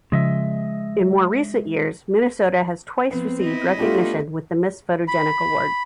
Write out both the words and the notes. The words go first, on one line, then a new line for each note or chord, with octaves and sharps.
In more recent years, Minnesota has twice received recognition with the Miss Photogenic award.
C#3 F3 G#3 D#5 E5
F3 B3 C4
E4 D#5
A3 B3 D4 F4 G4 A4
B5